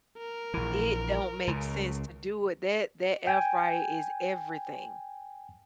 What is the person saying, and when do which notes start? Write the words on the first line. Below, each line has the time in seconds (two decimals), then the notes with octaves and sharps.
It don't make sense to do it. That that air fryer is everything.
0.18 A#4
0.54 A#1 E3
1.47 C#2 C#3
3.27 G5 G#5